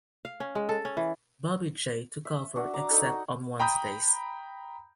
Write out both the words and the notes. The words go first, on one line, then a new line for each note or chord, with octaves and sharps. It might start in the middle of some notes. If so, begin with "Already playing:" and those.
Bobby Jay took over except on Wednesdays.
F5
C#4
G#3
A4
C#4
E3
E5
D4 F#4
A#5 D6
D#4 A4
F#4
G5 A#5 B5 D#6 G6